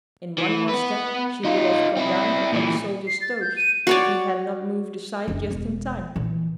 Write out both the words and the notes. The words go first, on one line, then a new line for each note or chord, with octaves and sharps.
In one more step she would have come down upon the soldier's toes, if he had not moved aside just in time.
E3
B3 B4
D#4 F4
C4 E4
A#2 E3
C7
A6
G6
D#7
F#4 C#5 D5
F#1 D4
E1
A#2 E3